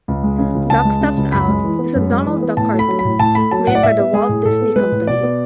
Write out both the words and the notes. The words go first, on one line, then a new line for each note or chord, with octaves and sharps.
Duck Steps Out is a Donald Duck cartoon made by The Walt Disney Company.
C#2
G#3
C#3
C#2
C#2 A5
G#3
C#3
C#2
F#2 B5
G#3
E3
B3
F#2
G#3
E3
B3
A2 A5
A3
B5
F#3
B5
A2
A2 A5
A3 B5
F#3 A5
A2 F#5
D5
A2 E5
B3
G#3 G#4
A2
A2 A4
B3
G#3 B4
A2
B2 D5
B3